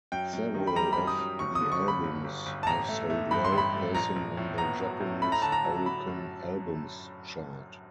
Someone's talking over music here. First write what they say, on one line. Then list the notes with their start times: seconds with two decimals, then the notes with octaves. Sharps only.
Several of the albums have sold well, placing on the Japanese Oricon Albums Chart.
0.12 F#2 G5
0.33 F#2
0.54 D#3
0.67 B5
0.76 G3 A#5
0.93 B5
0.98 F#2
1.07 D#6
1.19 F#2
1.39 G1 C#6
1.55 D#6
1.61 D3
1.72 C#6
1.82 G1
1.88 B5
2.03 G1
2.24 G1
2.46 G1
2.63 A5
2.67 A1 A#5
2.89 A3
3.10 A3
3.31 G2 B5
3.45 C6
3.52 A1
3.58 B5
3.74 A3
3.95 A#1 A#5
4.16 A#1
4.37 A2
4.58 B3 A#5
4.79 F#3
5.01 A2
5.22 A3 B5
5.32 A#5
5.42 D3 A5
5.52 A#5
5.64 F#3
5.85 F#3 B5
6.08 F#2